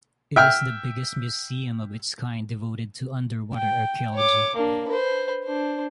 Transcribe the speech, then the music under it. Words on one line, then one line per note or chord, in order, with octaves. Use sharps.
It is the biggest museum of its kind devoted to underwater archaeology.
E5 G5 F6
G5
C#5 D6
A#3 D4
B4 C5
D4 C5